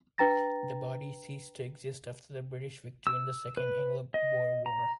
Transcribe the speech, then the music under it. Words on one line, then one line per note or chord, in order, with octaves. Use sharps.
The body ceased to exist after the British victory in the Second Anglo-Boer War.
D4 B4 G5 A#5 A6 A#6
E6
B4
D#5
A#5